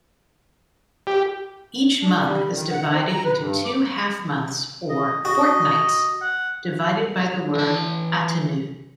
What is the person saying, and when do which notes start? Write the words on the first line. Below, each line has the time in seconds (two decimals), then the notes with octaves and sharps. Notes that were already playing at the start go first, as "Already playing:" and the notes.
Each month is divided into two half-months or "fortnights", divided by the word "atenoux".
1.07 G4
2.02 D4
2.15 G3
2.54 D#3
2.71 F#5
2.91 C4
3.07 A#5
3.24 B4
3.37 G2
3.65 D6
4.89 D#5
5.25 F#4 D#5
6.22 F#5
7.55 E3 A5